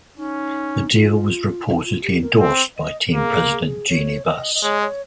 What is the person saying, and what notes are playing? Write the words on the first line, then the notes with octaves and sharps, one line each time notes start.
The deal was reportedly endorsed by team president Jeanie Buss.
C#4 D#4
F4
D#4
F4
G4
A#4
C4
D#5
A#3 G#4
G#4
C#5
D#5
D#5
G#3 C#5
C#5